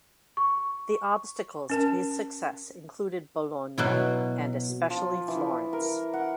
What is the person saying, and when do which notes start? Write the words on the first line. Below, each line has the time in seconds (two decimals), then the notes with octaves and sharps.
The obstacles to his success included Bologna and especially Florence.
0.37 C#6
1.70 C#4 A#4 A5
3.78 B2 F#3 E4
4.90 F3
5.28 E3
5.73 A#4
6.14 F#5